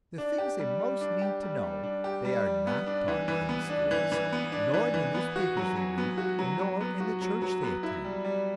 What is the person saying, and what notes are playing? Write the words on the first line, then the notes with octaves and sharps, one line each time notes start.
The things they most need to know they are not taught in the schools, nor in the newspapers they read, nor in the church they attend.
D4
G4
G3
G3
D4
G4
G3
G3
D4
G4
G3
G3
B3
D4
E3
E3
B3
D4
E3
E3
B3
D4
E3
E3
B3
F#4
F#3
F#3
B3
F#4
F#3
F#3
B3
F#4
F#3
F#3
B3
E4
G3
G3